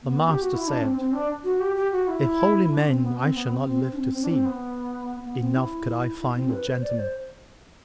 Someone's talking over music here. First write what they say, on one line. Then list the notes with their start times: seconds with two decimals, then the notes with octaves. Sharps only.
The Master said, A holy man I shall not live to see; enough could I find a gentleman!
0.02 B3
0.29 G4
0.42 F#4
0.54 E4
0.68 D4
0.81 C4
0.97 C4
1.12 D4
1.44 F#4
1.60 G4
1.76 G4
1.92 F#4
2.08 E4
2.71 D4
2.87 C4
3.03 B3
3.18 C4
3.34 B3
3.50 C4
3.66 C4
3.92 D4
3.98 C4
4.14 C4
4.22 D4
4.29 C4
4.45 B3
5.25 B3
5.40 C4
5.56 E4
6.20 E4
6.35 C4
6.51 B4
6.67 C5
6.82 D5
6.99 C5